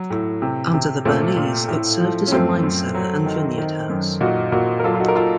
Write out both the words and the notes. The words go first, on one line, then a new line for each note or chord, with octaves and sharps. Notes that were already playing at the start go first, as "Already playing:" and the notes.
Under the Bernese it served as a wine cellar and vineyard house.
Already playing: F#3
A2
C3
C3
A#2 A3 C4
A#2
A2
F3
C#4
F#2 A3 C4
F#2
F#3
D#3
D#3
F#2
A#2 D#4 F#4
A#2 F#4 A#4
A#4
F#3 F4 A4
F4
D#4 F#4
A#4
F4 A4